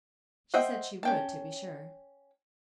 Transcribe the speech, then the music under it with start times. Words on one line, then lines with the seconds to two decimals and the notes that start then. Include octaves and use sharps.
She said she would, to be sure.
0.54 C5 D#5 E5 F#5 G5
1.03 C#4 G5 A5